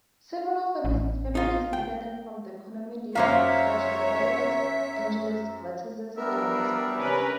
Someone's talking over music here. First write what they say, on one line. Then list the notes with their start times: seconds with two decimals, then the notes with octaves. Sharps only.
Several families descended from the Komnenodoukai, such as Palaiologos, Angelos, Vatatzes and Laskaris.
0.85 A1
1.35 D#4 F4
1.73 G5
3.15 F#2 F#3 A#3 C5 C#5 E5 F5
6.16 G3 B3 D4 A#4 E5
6.96 C3 C#4 A#4 B4